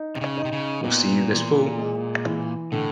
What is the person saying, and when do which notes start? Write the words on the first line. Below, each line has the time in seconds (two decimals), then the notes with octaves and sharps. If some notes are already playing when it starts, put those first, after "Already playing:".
We'll see you this Fall!
Already playing: D#4
0.16 C3
0.21 C#3
0.37 D#4
0.45 C3
0.53 C#3
0.84 A#2 B3
1.31 E3
1.78 G#3
2.25 E3
2.72 A2 D3